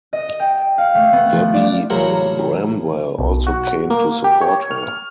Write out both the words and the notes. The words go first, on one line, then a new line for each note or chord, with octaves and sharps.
Debbie Bramwell also came to support her.
D#5
G5
F5
A3
B3
F3
D5
A1 C#3 F#3 A#4 C5 F#5
B1
F#4
A#3
G4
C#5
F6